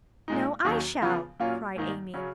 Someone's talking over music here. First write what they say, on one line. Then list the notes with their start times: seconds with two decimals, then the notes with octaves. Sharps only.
"No, I shall!" cried Amy.
0.28 A#2 G#3 D#4
0.65 D#2 D#3 F#3 A#3 C#4
1.02 C#3 F3 B3 F4
1.40 A#2 F#3 A#3 C#4 F4
1.76 G#2 D#3 A#3 D#4
2.14 C#3 F#3 C#4